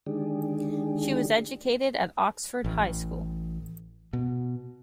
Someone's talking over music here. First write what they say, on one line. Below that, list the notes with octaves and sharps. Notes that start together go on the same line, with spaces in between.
She was educated at Oxford High School.
D3 D#3 G#3 D4 G4 G#4
A1
B2